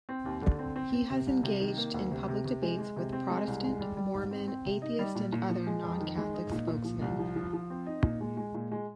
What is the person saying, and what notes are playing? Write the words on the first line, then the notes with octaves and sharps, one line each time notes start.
He has engaged in public debates with Protestant, Mormon, atheist, and other non-Catholic spokesmen.
C4
D#2
D3
C4
C4
C4
C3
C2
C3
D#3
A#3
D2
C3
C3
C3
G#3
G#3
C3
C4
G#3
C2
G#3
G3
G3
G#2
C4
C4
C3
D#4
G3
A#2
A#2
F3
G#3
F2
D#3
G#3
D#4
A#2
A#2
F3
C2
F3
F3
F3
C4
D#4
A#2
G#3
G#3
A#2
G#3